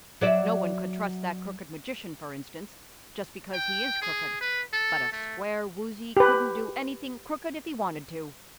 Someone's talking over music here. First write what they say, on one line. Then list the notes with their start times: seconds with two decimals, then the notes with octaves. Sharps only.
"No one could trust that Crooked Magician, for instance, just because he is crooked; but a square Woozy couldn't do anything crooked if he wanted to."
0.21 F#3 D5 E5
3.53 G5
4.02 G#4
4.41 B4
4.73 A4
5.12 A3
6.17 G4 B4